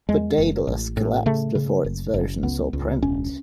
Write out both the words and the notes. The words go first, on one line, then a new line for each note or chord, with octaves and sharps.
But Daedalus collapsed before its version saw print.
E2 G#3
F#1
A1
A2
C#3 A3
C#3
F#1
F#1
C#2 B3
C#2
E1 C#4